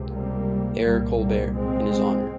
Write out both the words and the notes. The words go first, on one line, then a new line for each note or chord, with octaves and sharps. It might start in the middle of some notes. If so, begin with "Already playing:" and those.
"Air Colbert", in his honor.
Already playing: C#2 C3
G3 A#3
C2 A#2 G3 A#3
G3 A#3
G#3 C4